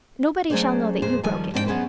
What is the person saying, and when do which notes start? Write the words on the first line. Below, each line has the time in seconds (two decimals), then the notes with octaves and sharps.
Nobody shall know that you broke it.
0.50 F#3 A3 C#4 G#4 C5 D5
1.02 F2 A#2 G#4 C5
1.23 D#2 F3 G3 G#5
1.54 G#2 C4 D4 G#4 G5
1.66 F#3 B3 C#4 G#4 B4 C5